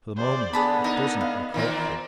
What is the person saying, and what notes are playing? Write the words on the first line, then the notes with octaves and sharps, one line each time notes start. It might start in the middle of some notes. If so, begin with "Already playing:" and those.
For the moment it doesn't look hopeful.
E2 C5 D5
D3 B3 G#4 A5 B5
D#4 A#4
F5
A#2 D#3 A#3 C4